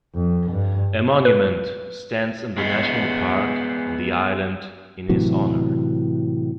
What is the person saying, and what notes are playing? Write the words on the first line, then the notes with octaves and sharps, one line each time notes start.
A monument stands in the national park on the island in his honour.
F2
G2
B4
G#3 B3
A2 C3 E3 F#3